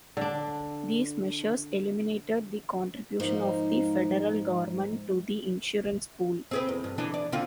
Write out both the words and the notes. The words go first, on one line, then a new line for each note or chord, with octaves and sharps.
These measures eliminated the contribution of the federal government to the insurance pool.
D3 D4
G#2 F3 A#3 D#4
C4 G#4 B4
E2
G2
E3 D4 G#4
D5
D3 C4 F4